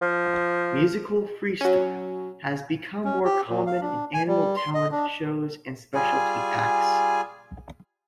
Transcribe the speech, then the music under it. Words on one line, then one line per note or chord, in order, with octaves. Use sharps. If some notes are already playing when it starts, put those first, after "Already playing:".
Musical freestyle has become more common in animal talent shows and speciality acts.
F3
F#3 C#4
C#4
G4
A#2
F5
D4
G#5
G3
C6
D#5
D4
G3 F4 G#4 G#5